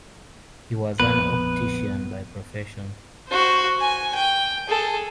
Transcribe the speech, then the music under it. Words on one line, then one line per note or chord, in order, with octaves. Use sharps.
He was an optician by profession.
A#1 F2 B3 B4
F#4 C5
G#5
G5
G#4 A4